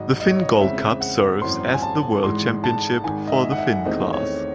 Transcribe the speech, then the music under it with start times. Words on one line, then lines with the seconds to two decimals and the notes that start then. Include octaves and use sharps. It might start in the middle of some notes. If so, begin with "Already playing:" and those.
The Finn Gold Cup serves as the World Championship for the Finn class.
Already playing: G#1 G#2 F#3 D#5
0.20 D#5
0.31 C#5
0.41 D#5
0.60 E2 C#3 G#3 C4 E5
1.01 F#5
1.41 G#1 F#2 E3 C4 C6
1.74 G#5
1.83 A5
2.23 G#1 G#2 E3 G#3 C6
2.64 A5
3.04 G#1 G#2 D#3 G#5
3.28 D#5
3.32 E5
3.52 F#5
3.58 E5
3.85 E2 D#3 A3 C4 D#5
4.13 C#5